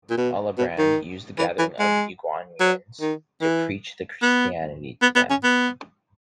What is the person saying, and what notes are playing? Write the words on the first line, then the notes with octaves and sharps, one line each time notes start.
Alabrand used the gathering of Ugaunians to preach the Christianity to them.
A#2
B2
B2
D#3
E3
E3
G#3
F#3
D#3
E3
B3
B3
B3
C#4
B3